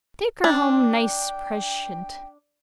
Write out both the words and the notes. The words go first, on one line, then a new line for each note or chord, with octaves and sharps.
Take her home nice preshent.
D4 G5